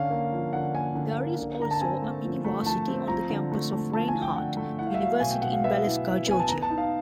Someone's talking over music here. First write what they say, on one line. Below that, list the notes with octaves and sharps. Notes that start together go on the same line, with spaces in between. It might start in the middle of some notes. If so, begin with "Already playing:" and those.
There is also a mini-Varsity on the campus of Reinhardt University in Waleska, Georgia.
Already playing: D3 C#4 F5
A#3
F3
D3 F#5
A#3 G#5
D3
A#3
D3
D3 A#5
A5
C4 G#5
A3
F3
A3
F3 A5
C4
F3 A#5
D3
A3
A3
F3 A5
G#5
F3
G5
D3 F#5
A3
E4 F#5
F5
E5
F#3 F5
B2 G#5
G5
B2 F#5
F5
B3 E5
E4
E4
B3 G#5
A5
B3 A#5
A5
D#4
F5